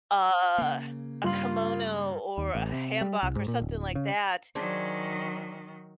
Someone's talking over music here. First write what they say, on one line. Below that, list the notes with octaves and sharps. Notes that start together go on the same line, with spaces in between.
a a kimono or a hanbok or something like that,
C#3 A#3
G2 F4 C6 F#7
D#2
A1
C3
G3
C2
G#2
A#2
D1
C#3
D#3 F#3 D4 G#4 C5